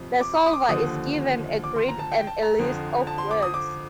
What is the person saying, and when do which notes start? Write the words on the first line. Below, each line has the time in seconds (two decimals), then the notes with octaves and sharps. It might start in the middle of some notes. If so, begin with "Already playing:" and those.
The solver is given a grid and a list of words.
Already playing: F2 C3 F3
0.21 D6
0.37 C6
0.46 D#6
0.53 D6
0.69 D#2 D3 F3 D#6
1.64 D6
1.76 C6
1.88 A#5
1.99 A5
2.12 G5
2.27 A5
2.43 A#5
2.59 F2 D3 F3
3.07 A5
3.18 C6
3.31 D6
3.42 D#6
3.54 D6